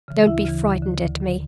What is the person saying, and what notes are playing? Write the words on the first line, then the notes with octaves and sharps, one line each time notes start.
Don't be frightened at me.
C#3 E3
D2 E4 E5
C#3 E3
D2
D3
D2
D3